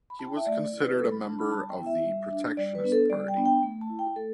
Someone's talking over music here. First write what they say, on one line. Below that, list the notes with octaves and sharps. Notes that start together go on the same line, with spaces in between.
He was considered a member of the Protectionist Party.
B5
E4 A5
G5
E5
A3 D5
D5
E4
B4
G3 A4
B5
D4 A5
B5
G3 A5
G5
B3 E4
E5
G3
D4
G3 D5
B4
B3 D4
A4
G3 D5
G5
B3 D4
G5
A3
A5
E4
G5
A3 A4